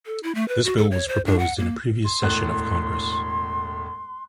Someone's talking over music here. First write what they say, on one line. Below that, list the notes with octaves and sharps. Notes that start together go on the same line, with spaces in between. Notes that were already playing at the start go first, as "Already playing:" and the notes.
This bill was proposed in a previous session of Congress.
A4
E4
A3
B4
F#4
A4
C#5
C5
D4
F#5
A#3
C6
E1 A2 F#6